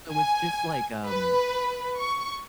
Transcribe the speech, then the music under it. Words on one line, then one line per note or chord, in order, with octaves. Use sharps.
So it's just, like, um
G#5
B4
C#6